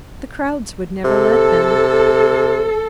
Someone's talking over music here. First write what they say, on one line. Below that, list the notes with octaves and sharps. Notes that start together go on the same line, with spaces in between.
The crowds would never let them.
C3 A4